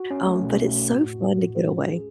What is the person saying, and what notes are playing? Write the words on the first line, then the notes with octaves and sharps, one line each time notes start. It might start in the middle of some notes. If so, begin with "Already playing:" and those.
Um, but it's so fun to get away.
Already playing: F#4
C#4
A3
B2
A3
F#4
A2
A2
A2
A2
G#3
C#4
G#4